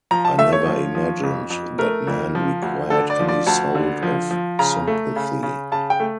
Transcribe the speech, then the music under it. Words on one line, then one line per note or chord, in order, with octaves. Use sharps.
I never imagined that men required any solt of sympathy.
F3 A#5
A5
A3 E5
C#5
F3
F3
F2
F2
A3 A#4
F2
F3
D2
D3 A4
D5
F3
D5
D2 A5
D3
F3
F3
C#3 A#5
A3
C#3
C#3
C#3 A5
G5
A3